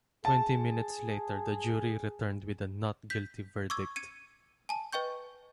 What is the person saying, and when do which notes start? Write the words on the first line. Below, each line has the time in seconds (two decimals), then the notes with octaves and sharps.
Twenty minutes later the jury returned with a "Not guilty" verdict.
0.25 G#4 A5
3.10 G6 B6
3.70 C#6 D6 E6 G#6
3.96 G#6 C#7 D#7
4.69 G#5 A5
4.93 B4 D#5 G5 C#6 G6